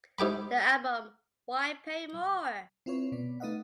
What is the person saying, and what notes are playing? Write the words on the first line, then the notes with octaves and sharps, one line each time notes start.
The album, Why Pay More?
G#2 G4 G5 B5
C4 E4 F4 B4 C#5
B2 B3 D5
A3 D#4 B4 D#5 F5 F#5